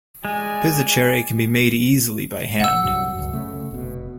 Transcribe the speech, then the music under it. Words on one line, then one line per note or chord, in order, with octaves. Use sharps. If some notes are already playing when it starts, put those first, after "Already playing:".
Pizzoccheri can be made easily by hand.
G#3 D5 G#5
A#1 F#5 E6
C2 G2 F#3
C#2 F#2
C#3 A3
F1 B2